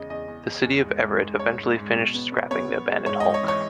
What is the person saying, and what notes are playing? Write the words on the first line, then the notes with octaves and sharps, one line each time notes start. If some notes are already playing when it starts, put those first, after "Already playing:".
The city of Everett eventually finished scrapping the abandoned hulk.
Already playing: E2 C#3 G#3 D#5
E2 D#5
E2
E2
E2
G#2
G#2
G#2
G#3 C#5
G#2
G#2
B2
B3
B3
B3 C#5
B3
G#3
G#2 C#5
G#2 D#5
C#5
E3
C#5